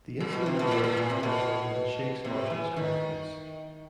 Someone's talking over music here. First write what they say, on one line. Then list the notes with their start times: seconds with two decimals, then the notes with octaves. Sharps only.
The incident enrages Deveraux and shakes Marshall's confidence.
0.20 A2
0.33 B2
0.46 C3
0.59 B2
0.71 A2
0.84 A2
0.97 A#2
1.10 C3
1.23 B2
2.24 C3
2.50 E3
2.76 D#3